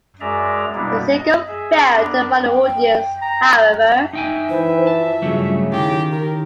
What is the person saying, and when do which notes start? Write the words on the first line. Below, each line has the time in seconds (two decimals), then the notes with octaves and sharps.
The single failed to find an audience, however.
0.21 F#2 G#3 G#4 D5 E5 A#5
0.75 B2 G3 A#3 B3 D4 E4
1.11 D#5
1.47 G#4 E5
1.92 B3 D4 A#4
2.47 G5
3.22 A#5
4.13 D#4 E5 G5 G#5
4.49 E3 C5
4.87 F4 A5
5.22 G2 C#3 F#3 A3
5.72 D#3 E4 G4
6.11 G4 A#4